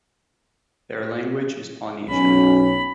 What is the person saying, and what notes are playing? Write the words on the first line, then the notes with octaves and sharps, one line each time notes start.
Their language is Polynesian.
B1 C#4 B5